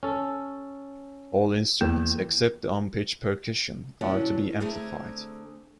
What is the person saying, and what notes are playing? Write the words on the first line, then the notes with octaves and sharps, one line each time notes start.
All instruments except the unpitched percussion are to be amplified.
C#4 A4
E2 A#3
A#2 D3 E3 F#3 C#4 D4
D3 A3 C4 G#4 G#5 A#5